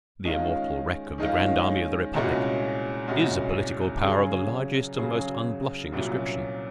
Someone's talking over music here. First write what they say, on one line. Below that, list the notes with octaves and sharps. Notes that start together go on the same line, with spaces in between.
The immortal wreck of the Grand Army of the Republic is a political power of the largest and most unblushing description.
D#3 G#3 C#4 F4
D#3 G#3 C#4 F4
C2 A#2 G#3 C#4 F#4
C2 A#2 G#3 C#4 F#4
C#3 F#3 C#4 G#4
C#3 F#3 C#4 G#4
C2 A#2 F#3 C#4